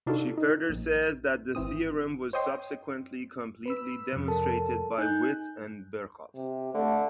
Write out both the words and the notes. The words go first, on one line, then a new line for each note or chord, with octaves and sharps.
She further says that the theorem was subsequently completely demonstrated by Witt and Birkhoff.
C3 D4 D#4 F4 F#4 A4
D#4
A#1
G#1 E3 C4 D#6
C5 C#5 D#5 G5 C6
B4 B5 E6
F2 C3
A4 A#4 A5
D#4 G#5 F#6 G6
C3
D3 A3